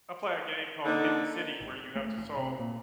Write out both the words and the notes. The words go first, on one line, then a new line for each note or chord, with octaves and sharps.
I play a game called The Hidden City where you have to solve
D3 A#3 D#4
G#1
A3
G#1
C3
A#2